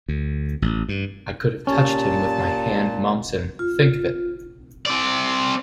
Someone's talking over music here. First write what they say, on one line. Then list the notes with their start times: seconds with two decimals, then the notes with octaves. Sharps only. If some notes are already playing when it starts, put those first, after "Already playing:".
I could have touched him with my hand-Mommsen!-think of it!
0.08 D2
0.62 A1
0.89 G2
1.67 A#2 C#4 G4 A5
3.59 F4
4.86 C4 D5